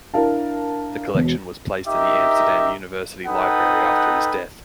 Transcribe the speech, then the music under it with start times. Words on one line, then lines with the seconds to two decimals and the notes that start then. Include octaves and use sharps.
The collection was placed in the Amsterdam University Library after his death.
0.14 D4 E4 A#4 F5 A5
1.15 E1 B2
1.87 D#4 G4 A#4 D#5 E5
3.27 D#4 A4 B4 F#5 G5 D#6